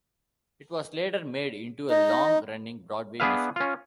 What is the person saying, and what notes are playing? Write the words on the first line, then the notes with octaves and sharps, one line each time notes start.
It was later made into a long-running Broadway musical.
D#4 D#5
B3 D4 G#4 B4 E5 F5
C#4 F4